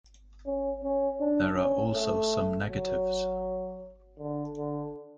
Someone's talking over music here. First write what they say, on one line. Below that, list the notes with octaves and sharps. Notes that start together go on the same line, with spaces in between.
There are also some negatives.
C#4
C#4
D4
C#4
A3
F#3
D3
D3